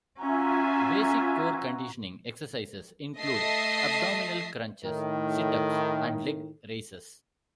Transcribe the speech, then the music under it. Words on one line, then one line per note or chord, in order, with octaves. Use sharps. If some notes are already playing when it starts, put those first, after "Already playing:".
Basic core conditioning exercises include abdominal crunches, situps and leg raises.
C#4 F4 F#4 E5 G#5 A#5
A3 D#5 E5 A5 D#6 C7
A2 D#3